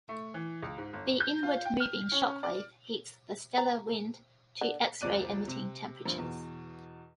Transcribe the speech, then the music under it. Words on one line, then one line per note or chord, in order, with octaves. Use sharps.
The inward moving shock wave heats the stellar wind to X-ray-emitting temperatures.
A3
E3
C#2
G#2
G1
G6
F4
G5
F6
C#4
D5
A#5
D3
F1 C#2 F3 D5 F#6 D#7
C3
A#1 G2
E2 B2